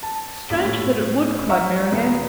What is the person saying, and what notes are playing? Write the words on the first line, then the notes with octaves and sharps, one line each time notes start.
"Strange that it would!" cried Marianne.
A5
E1 A#1 B6
A2
E5 F#5 A#5 C#6 E6 F6
D#1 G#3 B3